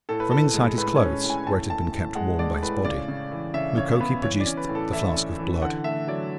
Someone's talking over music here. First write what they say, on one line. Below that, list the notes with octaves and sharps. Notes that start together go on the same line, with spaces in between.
From inside his clothes, where it had been kept warm by his body, Mukoki produced the flask of blood.
A2 A4
B4
A2 A4
G#3
A2 B4
C#5
C#4
A2
G#5
A2 A5
A2 A5
A2
G#3 F#5
G#3 D5
A2 B4
C#3 D5
C#3
E3
C#3 E5
C#3 C#5
B3 B4
E3 C#5
D5
C#4
B4
A2
A4
E3 E5
C#4
E3
D3 F#5
A3 E5
F#3 D5